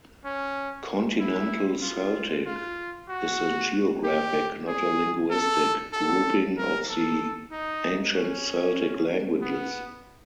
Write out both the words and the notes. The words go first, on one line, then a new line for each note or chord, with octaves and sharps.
"Continental Celtic" is a geographic, not a linguistic, grouping of the ancient Celtic languages.
C#4
E4
F4
F4
F#4
G4
G#4
A4
A4
A#4
A4
D#4
C#4
B3